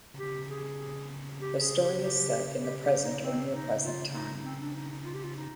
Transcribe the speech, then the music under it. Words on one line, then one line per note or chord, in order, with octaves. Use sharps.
The story is set in the present or near-present time.
G4
G#4
G4
G#4
G4
G4
G4
G4
D#4
C4
D#4
F4
D#4
C4
D4
D#4
D#4
F4
G4
F4
D#4